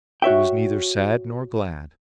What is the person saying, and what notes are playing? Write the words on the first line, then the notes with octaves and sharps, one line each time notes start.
It was neither sad nor glad.
F#4 C#5 E5 G5